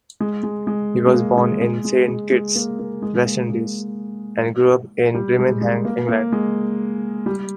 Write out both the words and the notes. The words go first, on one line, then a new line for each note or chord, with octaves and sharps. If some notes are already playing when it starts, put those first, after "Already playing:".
He was born in Saint Kitts, West Indies, and grew up in Birmingham, England.
G#3
G#3
G#3
G#3
A#3
G#3
G#3
G#3
G#3
G#3
A#3
A#3
G#3
G#3
A#3
G#3
G3
G#3
G#3
A#3
A#3
G#3
G3